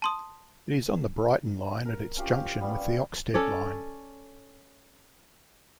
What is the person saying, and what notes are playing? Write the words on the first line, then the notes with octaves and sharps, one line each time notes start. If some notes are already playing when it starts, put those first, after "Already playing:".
It is on the Brighton Line at its junction with the Oxted Line.
A5 C6 D#6
A#4
C#4 F4 G4
C5 F5
G3 B3 C#4
C#4 A4 C#5 D5